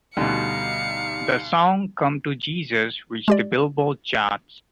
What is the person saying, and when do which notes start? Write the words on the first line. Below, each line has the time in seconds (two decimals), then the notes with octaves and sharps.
The song "Come to Jesus" reached the "Billboard" charts.
0.17 D2 B2 G3 D#4 F5 C#7
3.28 G#3 G4 D5